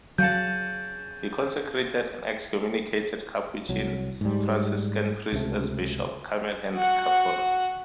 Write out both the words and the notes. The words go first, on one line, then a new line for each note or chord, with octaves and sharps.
He consecrated an excommunicated Capuchin Franciscan priest as bishop: Carmel Henry Carfora.
C#3 F#3 F#5 A5 G6
C2 F#3
G#2 G3
C#2 C3 A3
F#4 F#5